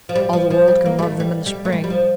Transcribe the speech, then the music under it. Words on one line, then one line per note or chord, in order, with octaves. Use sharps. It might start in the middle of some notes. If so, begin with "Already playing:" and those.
All the world can love them in the spring.
F3
G3
F3
F3
G3
A#3
G3
A3
G3
G3
A3
G3
G3
F3